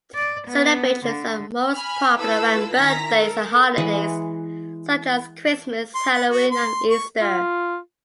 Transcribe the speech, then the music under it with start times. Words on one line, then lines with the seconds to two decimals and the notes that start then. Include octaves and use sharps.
Celebrations are most popular around birthdays and holidays, such as Christmas, Halloween and Easter.
0.14 D5
0.48 B3
1.06 D3
1.74 G#5 B5 F6
2.17 E4 F4 A4 B4 E6
2.74 D#3 E4 A#5 A#6 B6
3.17 A4 A#4
3.78 E3 G#3 F#5 B5
5.95 C6
6.13 F#5
6.30 F#4
6.50 C6
6.90 C#6
7.21 F4